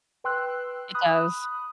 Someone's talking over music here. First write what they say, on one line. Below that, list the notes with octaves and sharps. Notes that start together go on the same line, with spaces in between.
It does.
B4 G5 C6 E6 F#6
B5 D#6 F#6